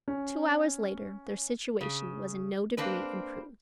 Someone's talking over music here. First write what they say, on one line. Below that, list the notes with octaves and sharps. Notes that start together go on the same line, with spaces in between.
Two hours later, their situation was in no degree improved.
C#4
C#3
A#3 C4 D4 B4